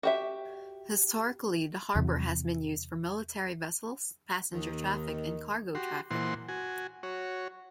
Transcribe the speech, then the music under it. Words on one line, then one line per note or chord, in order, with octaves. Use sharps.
Historically, the harbour has been used for military vessels, passenger traffic and cargo traffic.
F#4 G4 E5
E2 C3
D#2 D#3
F#4 G4 C6
A#2 E3 C5 F#5 C6
F#4 G#5
F#4 C#5